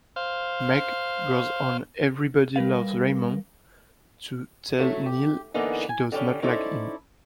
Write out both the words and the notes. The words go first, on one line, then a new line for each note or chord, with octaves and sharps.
Meg goes on "Everybody Loves Raymond" to tell Neil she does not like him.
C5 F5
G3 A#4 B4 F5
F#3 A3 E4
G4
D3 E3 A#3 B3 D#4
G#5
D3 G3 C4 C#4
C#4 D#4 E4 A4 C5 D5